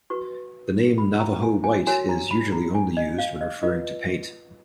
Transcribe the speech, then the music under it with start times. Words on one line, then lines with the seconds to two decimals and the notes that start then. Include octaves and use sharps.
The name "Navajo White" is usually only used when referring to paint.
0.10 F#4 B4 C#6
0.98 B5
1.20 A#5
1.42 G#5
1.64 G#5
1.87 F#4 A#4 C#5 G#5
2.09 A#5
2.31 B5
2.52 A#5
2.75 G#5
2.97 D#5
3.19 F5
3.41 D#5
3.63 F4 B4 D#5